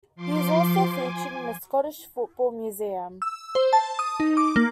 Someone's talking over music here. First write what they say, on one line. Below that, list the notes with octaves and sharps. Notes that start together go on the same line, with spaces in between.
He is also featured in the Scottish Football Museum.
F3 C6 D6
G#5
E6
C5
A5
D#6
D#4
D6
A#3